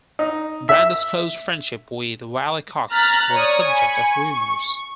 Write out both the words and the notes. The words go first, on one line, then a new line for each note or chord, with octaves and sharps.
Brando's close friendship with Wally Cox was the subject of rumors.
D#4
E5
A#5 F6 F#6 A6 B6
C#5 D5 D#6
G#5 B5 C#7
C#6